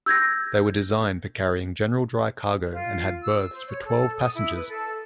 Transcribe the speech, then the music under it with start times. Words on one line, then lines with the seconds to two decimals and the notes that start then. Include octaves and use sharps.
They were designed for carrying general dry cargo and had berths for twelve passengers.
0.06 E6 G6 G#6 A#6
2.72 F4
3.22 E6
3.51 C5
3.68 C#5
3.85 A4
4.17 D#6
4.35 E4
4.56 B4
4.69 A4